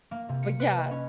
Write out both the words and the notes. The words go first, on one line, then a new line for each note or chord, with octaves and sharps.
But yeah
A#3
C3
C#7
B4
D#5
C#4